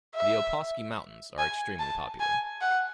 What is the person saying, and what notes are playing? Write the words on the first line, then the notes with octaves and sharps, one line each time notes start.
The Opawskie Mountains are extremely popular.
E5
G#5
A5
G#5
F#5